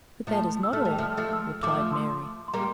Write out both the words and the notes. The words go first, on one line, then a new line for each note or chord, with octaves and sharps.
"But that is not all," replied Mary.
F3 A3
E6
A3 F6
G3
F3 A3
F6
F3 A3
E6
F3 A3 D6
C6
C6
G3 A#3 A#5